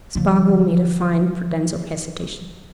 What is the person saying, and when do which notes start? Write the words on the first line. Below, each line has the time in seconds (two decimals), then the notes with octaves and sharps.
Spargo made a fine pretence of hesitation.
0.15 D3 F3